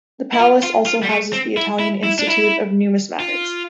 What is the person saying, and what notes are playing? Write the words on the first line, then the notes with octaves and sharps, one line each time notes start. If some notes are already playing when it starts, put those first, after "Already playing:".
The palace also houses the Italian Institute of Numismatics.
E4
F4
F4
F4
G3
A3
C4
E4
E4
E4
D4
E4
F4